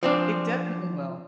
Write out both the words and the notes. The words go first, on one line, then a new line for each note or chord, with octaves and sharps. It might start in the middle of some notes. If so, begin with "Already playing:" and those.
It definitely will.
F3 C4 D4